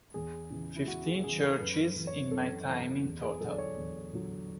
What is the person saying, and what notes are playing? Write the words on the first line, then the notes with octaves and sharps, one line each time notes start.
Fifteen churches in my time in total.
E2 G#4
C#3 E3
E4
E2 F#4
G#4
C#3 E3 G#4
A4
F#2 B4
E3
C#5
F#2 A4
E3
E2
G#4
D3 F#3 A4
D5
C#5
E2
D3 F#3